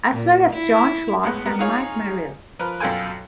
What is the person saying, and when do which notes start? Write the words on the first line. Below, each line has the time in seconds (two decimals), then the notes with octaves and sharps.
As well as John Schwartz, and Mike Merrill.
0.12 A#2
0.53 E4
1.23 A2 G#3 B3
1.45 G3 B3 A#4
1.59 D#4 F4 G#4 C#5
2.59 F3 A#4 B4
2.80 F#2 B2 F4 A4 G5 G#5